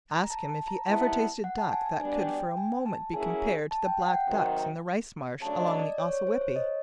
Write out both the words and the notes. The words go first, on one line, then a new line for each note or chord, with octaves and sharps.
Ask him if he ever tasted duck that could for a moment be compared to the black ducks in the rice marsh along the Ossawippi.
A#5
A5
A5
A#5
G#2 E3 G3 B3 E4 A5
F#5
A5
G#5
G#5
B2 G3 B3 D4 G#5
G5
G5
G#5
A5
F#3 A#3 C#4 E4 G#4 G#5
A5
G5
F#5
G5
F#5
C3 D#3 F#3 G5
C#3 F#3 A3 D4 A5
D#5
D5
C#5
C#5
C5
C#5
D#5